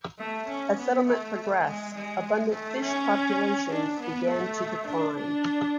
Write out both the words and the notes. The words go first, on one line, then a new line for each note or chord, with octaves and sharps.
As settlement progressed, abundant fish populations began to decline.
A3
C#4
B3
A3
G#3
G#3
A3
C#4
D4
B3
A3
D4
D4